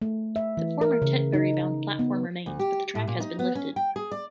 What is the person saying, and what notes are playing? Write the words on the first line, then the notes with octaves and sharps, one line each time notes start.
The former Tetbury bound platform remains but the track has been lifted.
A3
E5
E3
A#4
C#3
D#4
B3
D2
G4
A2
A#2
D#4
B3
C#4
G5
G#4
D5